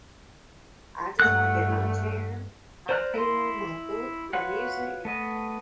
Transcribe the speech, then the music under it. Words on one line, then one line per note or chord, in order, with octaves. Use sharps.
I just wanna get my chair, my cooler, my book, my music,
G2 A3 F#5 F#6
C5 D5 A#5 F6 F#6
E4 D#5 C6
F4 F#4 B4 C#5 F#5
A3 B3 D#5